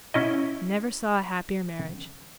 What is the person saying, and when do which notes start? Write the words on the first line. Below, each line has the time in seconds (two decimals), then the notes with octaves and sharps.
"Never saw a happier marriage."
0.14 C#4 E4 D#5